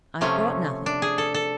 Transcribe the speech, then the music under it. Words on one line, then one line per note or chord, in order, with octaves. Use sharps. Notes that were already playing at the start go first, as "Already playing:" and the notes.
'I've brought nothing.
C3 F3 A3 C#4
D4
G#4
A4
A4